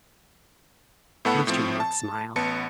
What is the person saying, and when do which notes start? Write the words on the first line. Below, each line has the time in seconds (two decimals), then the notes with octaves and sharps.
Mr. Yorke smiled.
1.25 A2 A3 B3 A4 F#5 B5
1.47 A2 F3 C4
1.80 A5
2.36 A1 B3 A5 C#7